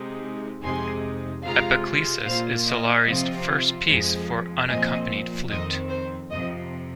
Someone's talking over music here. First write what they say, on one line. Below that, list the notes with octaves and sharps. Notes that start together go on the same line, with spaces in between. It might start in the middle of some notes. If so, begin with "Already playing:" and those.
Epiclesis is Solare's first piece for unaccompanied flute.
Already playing: C3 G#3 D#4
F2 C3 G#3 D#4 G#5 C6
C3 G#3 F4 F5 A#5
A#2 A#3 F4 C5 F5
D#5
C3 F3 C4 F4
F2 F3 G#3
A#2 F3 C4 D#5 G#5
F2 D#3 C4 D#5
C5
F2 C3 F3 D#5